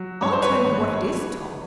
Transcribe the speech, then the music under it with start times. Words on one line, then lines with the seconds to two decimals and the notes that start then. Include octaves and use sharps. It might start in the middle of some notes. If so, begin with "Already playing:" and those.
"I'll tell you what it is, Tom."
Already playing: F#3
0.21 G2 C#5
0.33 C5
0.42 B4 C#5
0.64 G#1